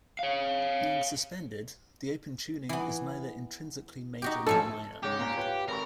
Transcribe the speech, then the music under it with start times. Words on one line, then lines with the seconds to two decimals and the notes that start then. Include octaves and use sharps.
Being suspended, the open tuning is neither intrinsically major nor minor.
0.19 C#5 F5
2.69 E3 B3
4.22 D#4 F#4 G4
4.46 G#2 F3 C#4 A4
5.03 G#2 C#3 G4 C#5
5.19 C#2 A#2 A#5
5.37 F4 B4 C#5
5.68 G#1 A#4 B5 C#6